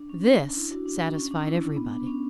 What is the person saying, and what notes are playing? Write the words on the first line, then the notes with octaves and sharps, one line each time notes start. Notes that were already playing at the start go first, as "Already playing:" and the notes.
This satisfied everybody.
Already playing: D4
C#4
D4
D4
D4
E4
D4 F#4
D4
D4
C#4
D4
E4
D4
B3
D4
C#4